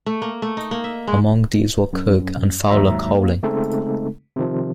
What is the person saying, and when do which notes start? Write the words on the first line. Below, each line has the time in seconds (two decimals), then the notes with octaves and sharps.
Among these were Coke and Fowler Cowling.
0.06 A3
0.22 A#3
0.42 A3
0.57 D#4
0.71 A#3
0.84 E5
1.07 G#3
1.93 F#2
2.70 D#2 G#2 F#3 E5 A#5
3.14 A#3
3.43 C#3 G#3 A3 C4 D#4 A4
4.36 C3 D#3 F3